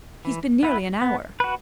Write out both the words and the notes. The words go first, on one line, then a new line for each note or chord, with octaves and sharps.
He's been nearly an hour.
E3
B3 E4 B4
B3
F#4 B4